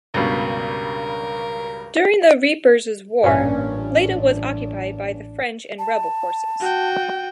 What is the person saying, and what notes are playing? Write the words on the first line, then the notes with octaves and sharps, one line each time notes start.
During the Reapers' War, Lleida was occupied by the French and rebel forces.
C#2 G2 B2 A#4
A1 G2 A#2 C#4 D4
A5
F#4 G5